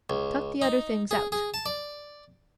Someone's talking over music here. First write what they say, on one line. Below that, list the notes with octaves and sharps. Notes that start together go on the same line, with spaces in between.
Chuck the other things out.
C#2
D#4
G#4
G#4
A5
D5